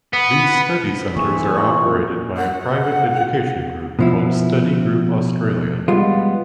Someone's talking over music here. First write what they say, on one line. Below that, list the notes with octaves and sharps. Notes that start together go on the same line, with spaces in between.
These study centres are operated by a private education group called Study Group Australia.
B3
E3 A3 A#3 C4 G#4 C#6
A#2
F#5
B2 F3 E4
G3 G#3 B3 F4